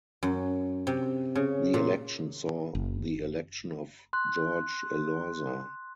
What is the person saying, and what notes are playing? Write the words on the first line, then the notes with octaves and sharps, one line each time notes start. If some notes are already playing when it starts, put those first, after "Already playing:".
The election saw the election of Jorge Elorza.
F#2
C3
C#3
A#2
F#1
C6 F#6